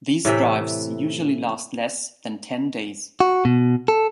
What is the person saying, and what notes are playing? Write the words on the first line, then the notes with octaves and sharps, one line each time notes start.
These drives usually last less than ten days.
A2 C3 E3 E5
F#4
B2
A4